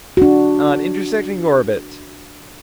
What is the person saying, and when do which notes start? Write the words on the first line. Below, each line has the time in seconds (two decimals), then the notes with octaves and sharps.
On intersecting orbit.
0.17 D4 F#4